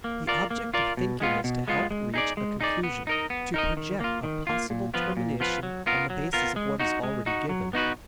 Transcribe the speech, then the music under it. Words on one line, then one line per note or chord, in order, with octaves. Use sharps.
The object of thinking is to help reach a conclusion, to project a possible termination on the basis of what is already given.
A#3
F4 A#4 D5
A#3
F4 A#4 D5
B2
G#3 B3 F4
B2
G#3 B3 F4
G#3
D#4 G#4 D5
G#3
D#4 G#4 D5
B3
D#4 A#4 D#5
B3
D#4 A#4 D#5
D#3
A#3 F4
D#3
A#3 F4
A#2
F3 B3 F4 B4
A#2
F3 B3 F4 B4
F#3
B3 F4 A#4
F#3
B3 F4 A#4
G#3
D#4 F#4
G#3
D#4 F#4
F#3
B3 D#4 F#4 B4